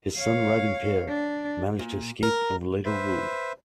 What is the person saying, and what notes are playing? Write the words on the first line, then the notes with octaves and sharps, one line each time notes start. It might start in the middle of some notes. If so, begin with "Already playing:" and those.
His son Raginpert managed to escape and would later rule.
C#5 F5
D4
A#2
A#4
B4 C5 E5